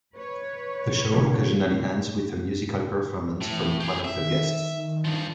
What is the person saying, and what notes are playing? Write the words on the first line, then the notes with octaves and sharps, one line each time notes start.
The show occasionally ends with a musical performance from one of the guests.
B4 C#5
D3 F3 A#3
A2 E3
G4 G#4
E5
D#3
G2 F3